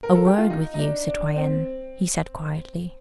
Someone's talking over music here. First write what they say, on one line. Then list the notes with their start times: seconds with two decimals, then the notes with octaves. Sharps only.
"A word with you, citoyenne," he said quietly.
0.03 A#4
0.15 A4
0.26 G4
0.38 F4
0.50 D#4
0.74 D#4
0.79 D4
1.07 D4
1.36 C4